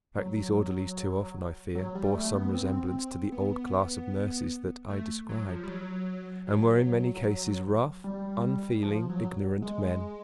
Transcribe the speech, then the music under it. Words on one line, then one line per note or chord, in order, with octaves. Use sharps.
In fact, these orderlies too often, I fear, bore some resemblance to the old class of nurses that I described, and were in many cases rough, unfeeling, ignorant men.
F#3
F#3
G3
A3
B3
C4
B3
A3
F#3
F3
G3
F#3
F#3
G3
F3
F#3
G#3